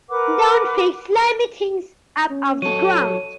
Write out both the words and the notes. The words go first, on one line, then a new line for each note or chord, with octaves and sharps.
Don't pick slimy things up off the ground.
A#4 B4 F#5 D6
C#4
F#3 A4 C#5 D#7